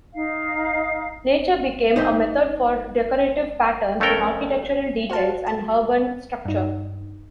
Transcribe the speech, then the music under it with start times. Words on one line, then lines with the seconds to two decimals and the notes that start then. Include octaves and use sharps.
Nature became a method for decorative patterns in architectural details and urban structure.
0.15 D#4 F5
1.96 D#4 C5 D#5 E5
4.00 F2 A3 C#4 A4 A#4 G5
5.10 F#4 C5 F5 A5
5.47 A5
6.45 G2 D#4